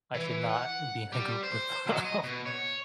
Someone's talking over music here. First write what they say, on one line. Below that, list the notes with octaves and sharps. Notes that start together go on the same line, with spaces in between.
I should not be in a group with them.
E3
F#5
G3
C5
F#3
D#5
B2
C#5